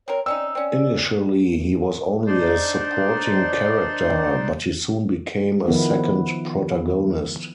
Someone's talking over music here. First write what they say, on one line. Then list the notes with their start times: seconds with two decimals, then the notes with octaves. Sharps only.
Initially, he was only a supporting character, but he soon became a second protagonist.
0.08 C4 A#4 C#5
0.26 C4 C#4 D#4 D5 E6
0.55 C4 C#4 D5
2.27 D4 D#4 C5 D5 C6
5.67 D#3 F3 B3 E4